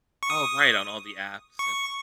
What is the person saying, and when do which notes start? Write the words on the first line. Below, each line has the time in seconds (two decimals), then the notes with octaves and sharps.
Oh, right, on all the apps and
0.23 C#6
0.30 D#6
1.59 C#6